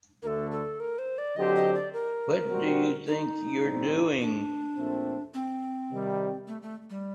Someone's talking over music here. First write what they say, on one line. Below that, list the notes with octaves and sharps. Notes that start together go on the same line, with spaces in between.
What do you think you're doing?
D2 D3 A3 A4 A#4
A4
A#4
C5
D5
D3 F#3 C4 G4 C5 D#5
D#5
D5
A#4
A#2 G3 C4 F#4
D#4
A#1 A2 G3 C4
D4
A#1 A#2 A3 C4
C4
C3 D#3 G3
A3
A3
G3